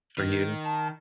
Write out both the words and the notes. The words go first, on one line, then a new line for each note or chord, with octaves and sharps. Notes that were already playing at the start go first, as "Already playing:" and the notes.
for you.
D#3
A5